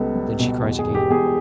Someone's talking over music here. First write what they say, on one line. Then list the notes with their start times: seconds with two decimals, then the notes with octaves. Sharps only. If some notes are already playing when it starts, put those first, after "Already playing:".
Then she cries again.
Already playing: C#2 G3 B3 A4
0.15 G3
0.39 B2
0.63 E2
0.79 G#4
0.87 E1
0.95 G4
1.10 E2 G#4